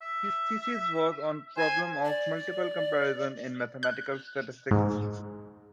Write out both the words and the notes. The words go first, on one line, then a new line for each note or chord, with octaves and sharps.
His thesis was on a problem of multiple comparisons in mathematical statistics.
E5
C5 G#5
D5
F#6
G#2